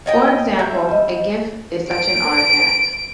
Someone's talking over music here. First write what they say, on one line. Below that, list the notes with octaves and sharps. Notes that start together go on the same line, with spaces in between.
For example, a gif is such an artifact.
C#5 D#5 G5
G3 E5
D#5
D7